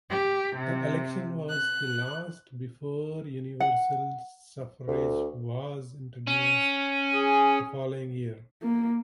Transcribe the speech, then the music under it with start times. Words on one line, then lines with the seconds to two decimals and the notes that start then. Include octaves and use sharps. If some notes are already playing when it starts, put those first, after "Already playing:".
The election was the last before universal suffrage was introduced the following year.
0.10 G4
0.57 C3
1.49 F#6
3.60 F#5
4.88 D2
6.27 C#4
7.14 G#4
8.63 A#3